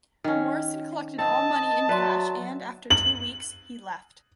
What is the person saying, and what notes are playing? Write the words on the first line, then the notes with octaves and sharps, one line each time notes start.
Morrison collected all money in cash and, after two weeks, he left.
D#3 C#4
C4 D#5 A5
F#3 B4 D5 E5 C6
F#7